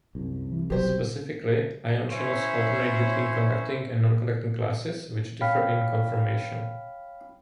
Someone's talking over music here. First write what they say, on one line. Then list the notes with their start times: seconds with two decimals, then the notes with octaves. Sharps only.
Specifically, ion channels alternate between conducting and non-conducting classes, which differ in conformation.
0.15 C2 F#2
0.51 E3
0.70 F1 B2 F#3 G4 C5
2.09 C#4 E4 C5 C#5 E5 C6
5.41 C#5 F5 G5 B5 F6 B6